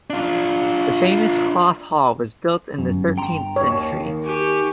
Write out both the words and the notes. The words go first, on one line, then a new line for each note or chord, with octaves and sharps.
The famous Cloth Hall was built in the thirteenth century.
D4 F4
G1 F#2
G5 A#5 C6
D#2 C#5
D#3
G4 G#5 C#6